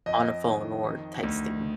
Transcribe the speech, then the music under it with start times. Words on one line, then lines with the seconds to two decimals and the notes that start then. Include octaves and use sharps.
on a phone or texting.
0.06 F2 D#5
0.45 D#3
0.84 D#3
1.24 D2